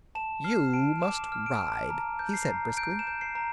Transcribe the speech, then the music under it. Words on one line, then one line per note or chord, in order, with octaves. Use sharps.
"You must ride," he said, briskly.
A5 E7
F6 C7
A5 D7
D6 E7
F6
D7
A5
A#5
G6
C7
A#5
G6 D7
E7
G6
C7
A#5